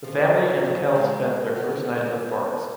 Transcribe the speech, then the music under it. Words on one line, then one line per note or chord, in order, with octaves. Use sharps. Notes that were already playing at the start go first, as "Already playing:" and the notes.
The family and Kel spend their first night in the forest.
F3
F#3
G#3
B3